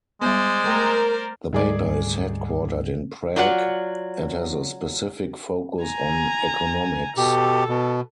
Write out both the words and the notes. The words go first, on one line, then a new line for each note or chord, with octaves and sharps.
The paper is headquartered in Prague and has a specific focus on economics.
G3 G#3 B3 C5 D5
A3 A#4
D2 G#2 D#3 G3 G#4 D5
F#3 F4 D5 F#5
G#5 A#5
B2 G4 A4
B2